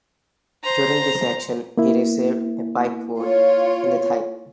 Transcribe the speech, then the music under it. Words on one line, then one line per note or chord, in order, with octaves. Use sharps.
During this action, he received a pike wound in the thigh.
C5 A#5
A#3 E4
F4 C#5